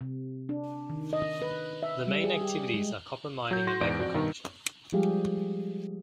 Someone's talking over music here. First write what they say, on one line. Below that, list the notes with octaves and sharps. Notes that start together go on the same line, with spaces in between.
The main activities are copper mining and agriculture.
C3
D4
D#3
D#5
B4
E5
G3
G#4
G4
G#3
F#3 G6
F#4 C6 A#6
E2 G#2 D5 D7
F2 F#4 D5
G2 B2 D#3
F3 G3 G#3 G4 G#4 F5